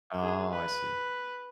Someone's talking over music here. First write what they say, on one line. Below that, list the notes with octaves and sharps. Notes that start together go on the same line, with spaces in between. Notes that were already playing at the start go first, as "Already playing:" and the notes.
Oh, I see.
D4 G#4
B4